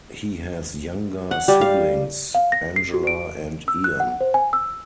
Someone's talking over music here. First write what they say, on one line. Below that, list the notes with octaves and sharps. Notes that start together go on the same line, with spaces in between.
He has younger siblings Angela and Ian.
F#5
G3
F5
F5
A#6
C7
F#4
D7
E6
F#6
F#5
C5
G#5
E6